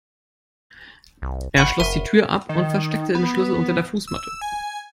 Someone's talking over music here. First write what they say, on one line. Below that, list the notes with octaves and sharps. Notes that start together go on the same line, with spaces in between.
Er schloss die Tür ab und versteckte den Schlüssel unter der Fußmatte.
C2
G#1 F#5 B5 C#6
F#1 A#4 E5 D#7
D#3
B3
E6
G#5